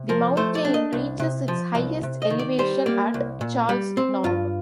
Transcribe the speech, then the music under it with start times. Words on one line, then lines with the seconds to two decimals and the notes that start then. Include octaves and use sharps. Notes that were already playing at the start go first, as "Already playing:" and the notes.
The mountain reaches its highest elevation at Charles Knob.
Already playing: C3
0.09 F3 A#4
0.37 A3 C5
0.55 D5
0.65 D4
0.74 D#5
0.93 C2
1.20 C3
1.48 F3
1.75 C2
2.03 C3
2.22 D#5
2.30 D#3
2.39 D5
2.59 G3 C5
2.86 A#3 D5
3.14 C2
3.41 A#2
3.69 G3
3.97 C4
4.24 G2 F4